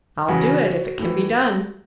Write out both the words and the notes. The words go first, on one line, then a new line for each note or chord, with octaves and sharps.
"I'll do it--if it can be done."
E2 C#3 E3 F#4
A2 E3